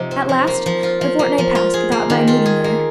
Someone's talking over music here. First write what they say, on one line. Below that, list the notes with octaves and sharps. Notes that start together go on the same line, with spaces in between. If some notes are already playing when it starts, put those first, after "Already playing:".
At last a fortnight passed without my meeting her.
Already playing: C3 F3 D#4
C4
F3
A#3
F3
F4
F3
A#3
F3
F4
G#4
A#3
D#3
F4
G#4
A#3